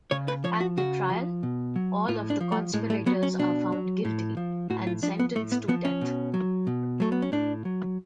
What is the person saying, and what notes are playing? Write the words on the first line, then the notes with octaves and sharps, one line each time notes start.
At the trial, all of the conspirators are found guilty and sentenced to death.
C#3 C#5
B4
F3 C#5
F#4
C#3 F#4
F3
B2
F#3
A2 F4
D4
F3
A3
A2 G#3
A3
F#3 B3
C#4
B2 D4
F#3
A2
F3
A2 F#4
F4
F3 D4
B3
A2 A3
B3
F3 B3
C#4
B2
F#3
B2
F#3 A3
B3
C#4
A2 D4
F#3